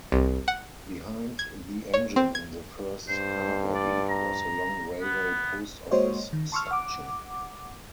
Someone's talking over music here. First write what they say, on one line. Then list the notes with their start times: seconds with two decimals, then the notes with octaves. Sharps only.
Behind the engine in the first carbody was a long railway post office section.
0.12 C2
0.48 F#5
1.39 G#6
1.94 C#5
2.16 C4
2.35 G#6
3.08 G2 C5
3.74 D5
4.10 A#5
5.01 B3
5.91 G#3 A#3 F#4 C5 C#5 D#5
6.33 D#3
6.52 A5 C6 C#6 E6 F6
6.71 F#5 D6